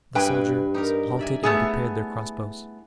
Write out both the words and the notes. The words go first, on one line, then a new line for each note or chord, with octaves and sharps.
The soldiers halted and prepared their crossbows.
G2 B4 D#5 G5 G#5
D#4 G4 A#4
D5 E5 G#5
A3 B3 E4 G#4